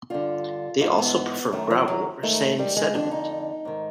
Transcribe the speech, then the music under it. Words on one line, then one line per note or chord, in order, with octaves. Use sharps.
They also prefer gravel or sand sediment.
G2 D3 F4
G#2 F4
E3
B3
F#2 D#3 A3
F3
F#3
G#2 D#3 A3
G3
G#3
F2 D3 D4
D#4
G#2 D#3